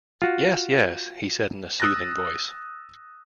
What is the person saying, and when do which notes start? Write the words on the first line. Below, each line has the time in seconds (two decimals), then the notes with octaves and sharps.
"Yes, yes," he said, in a soothing voice.
0.22 F4 F#4
1.80 D#6 E6 F#6 A6 A#6